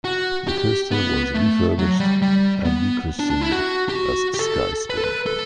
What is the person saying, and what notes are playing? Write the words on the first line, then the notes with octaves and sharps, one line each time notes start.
The coaster was refurbished and rechristened as Sky Spin.
F#4
G4
B3
A3
F#3
G3
G3
B3
D4
D4
E4
F#4
G4
F#4
G4
A4
B4
A4
B4
A4